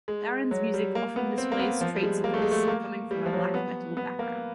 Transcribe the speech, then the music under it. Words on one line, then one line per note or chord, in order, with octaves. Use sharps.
Tharen's music often displays traits of this, coming from a black metal background.
G#3
F#3
G3
A#3
B3
C4
A#3
B3
F3
G3
G#3
A#3
A3
G#3
A3
A#3
G3
F3
F#3
B3
B3
A#3